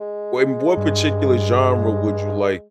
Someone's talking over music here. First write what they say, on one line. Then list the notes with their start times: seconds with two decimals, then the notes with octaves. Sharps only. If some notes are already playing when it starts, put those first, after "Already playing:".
in what particular genre would you like
0.01 G#3
0.77 G2